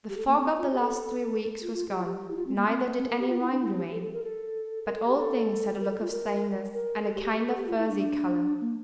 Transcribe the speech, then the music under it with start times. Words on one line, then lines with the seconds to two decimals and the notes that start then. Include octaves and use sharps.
The fog of the last three weeks was gone, neither did any rime remain; but all things had a look of sameness, and a kind of furzy colour.
0.09 G4
0.17 A4
0.28 A#3
0.38 C4
0.58 F4
0.72 G4
0.80 A4
1.36 A#4
1.42 A4
1.52 A4
1.63 F4
1.74 F4
1.89 G4
1.98 F4
2.05 G4
2.31 E4
2.36 F4
2.47 C4
2.56 A#3
2.67 C4
2.98 C4
3.09 A#4
3.20 G4
3.29 F4
3.40 E4
3.51 D4
3.62 E4
3.77 G4
3.92 A4
4.02 A4
4.13 A#4
4.23 A4
4.86 A#4
4.96 A4
5.07 G4
5.17 A4
5.80 A#4
5.90 A4
6.01 F4
6.11 A#4
6.74 A#4
7.05 A4
7.15 G4
7.25 G4
7.36 A4
7.47 A4
7.57 G4
7.67 F4
7.77 E4
7.88 D4
8.61 A#3